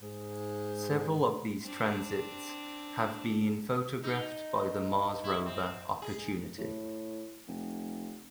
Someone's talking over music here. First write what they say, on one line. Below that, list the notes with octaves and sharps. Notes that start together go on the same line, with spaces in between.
Several of these transits have been photographed by the Mars Rover "Opportunity".
G#2
C4 D4
D#4
E4
C4
G#4
A2
F1